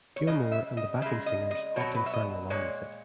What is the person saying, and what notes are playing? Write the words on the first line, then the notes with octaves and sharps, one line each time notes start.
Gilmour and the backing singers often sang along with it.
C#5
C#3 G#3 D#5
E5
D#5
C#3 G#3 E5
D#5
D#5
B2 F#3 C#5
B4
E5
D#5
A#2 G#3 C#5